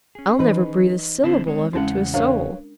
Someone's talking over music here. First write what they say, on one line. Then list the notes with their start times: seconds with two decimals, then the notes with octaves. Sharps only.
I'll never breathe a syllable of it to a soul!
0.15 C#4 G#4
0.39 E3 D#4 B4
1.24 D3 C4 E4 C5
1.47 G#3 C#5
1.73 E2 C#3 G#3 C#4 E4 F#5
2.14 D4 A#4 B4 C#5 F5